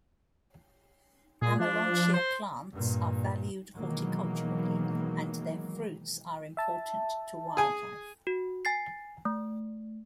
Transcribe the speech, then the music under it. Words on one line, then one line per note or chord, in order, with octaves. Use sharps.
"Amelanchier" plants are valued horticulturally, and their fruits are important to wildlife.
A#2 G#4
F3 D4
C5
G2 A#2
B2 D#3 E3 F#3 G#3 A#3
E5 A5
G#4 G#5
F#4
G#5 A6 C7
A3